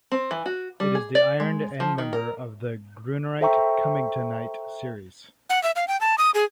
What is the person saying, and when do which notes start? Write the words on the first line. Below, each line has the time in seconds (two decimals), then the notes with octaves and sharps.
It is the iron endmember of the grunerite-cummingtonite series.
0.12 C4
0.31 E3
0.46 F#4
0.80 G3
0.95 G#4
1.15 D5
1.40 G#3
1.80 F3
1.98 D#3
2.13 A#4
3.41 A4 C5 E5 G5 A#5 C#6
5.50 F#5
5.63 E5
5.76 F5
5.88 G5
6.01 A5
6.18 D#6
6.34 G#4